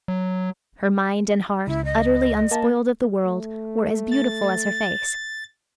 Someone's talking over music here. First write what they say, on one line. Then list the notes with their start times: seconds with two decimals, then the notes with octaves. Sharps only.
Her mind and heart, utterly unspoiled of the world, were as beautiful as her face.
0.08 F#3
1.67 C#2 E4
1.85 D#5
2.51 A#3 A5
3.25 A3
4.11 A6